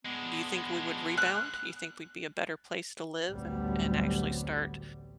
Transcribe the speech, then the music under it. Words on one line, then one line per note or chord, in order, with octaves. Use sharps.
do you think we would rebound? Do you think we'd be a better place to live and and actually start
G#3 B3 D4
F#6
A1 D2 F#3 G3 B3 C4